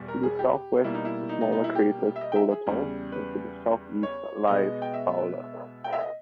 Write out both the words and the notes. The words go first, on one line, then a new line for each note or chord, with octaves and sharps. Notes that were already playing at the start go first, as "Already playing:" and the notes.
To the southwest is the smaller crater Stoletov, and to the southeast lies Fowler.
Already playing: E2 B2 G3
A#4
G#4
G4
B2 G3 A#3 E4
D#4
E4
D#4
D#4
D#4
E4
G4
E5
D#5
G5
E5
G#4
E2 C#3 G3
B4
C#5
B2 G#3 B3 D#5
G5
E5
G5
E5
D#5